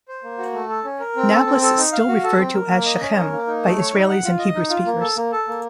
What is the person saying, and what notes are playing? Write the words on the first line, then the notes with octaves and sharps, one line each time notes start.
Nablus is still referred to as Shechem by Israelis and Hebrew speakers.
C5
A#3
F#4
A3
A4
C#4
A#4
C4
A4
C4
A4
D#4
F5
F#4
A4
C4
A#4
A#3
D#5
C#4
A#4
A#3
D#4
A3
C#5
D#4
F#5
F4
D#5
D#4
F4
A#3
A4
A#3
A4
A#3